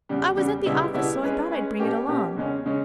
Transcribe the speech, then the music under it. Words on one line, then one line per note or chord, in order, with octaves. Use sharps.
I was at the office, so I thought I'd bring it along.
E2 C#3 G3
E2 C#3 G3
C#2 B2 G3 B3 E4
C#2 B2 G3 B3 E4
G#3 C#4 G#4 B4
G#3 C#4 G#4 B4
B2 A#3 C#4 G4
B2 A#3 C#4 G4
E2 C#3 G#3 C#4
C#3 G#3 C#4